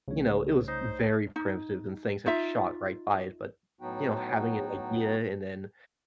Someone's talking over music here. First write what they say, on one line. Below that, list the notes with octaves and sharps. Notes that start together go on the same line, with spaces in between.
you know, it was very primitive and things have shot right by it, but, you know, having an idea and then
C2 C#3 A3 C#5
D#4 C5
D#4
D#4 F4 E5
A2 F#3 B3 D#4 F#4 G5